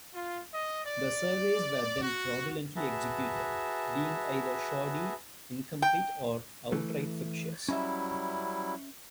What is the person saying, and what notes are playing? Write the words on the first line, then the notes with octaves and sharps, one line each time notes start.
The surveys were then fraudulently executed, being either shoddy, incomplete or outright fictitious.
F4
D#5
D5
F#4
F#4 G#4 B4 E5 A5 A#5
G5
E3 A3
F#3 G3 C#4 E4 D#5 E5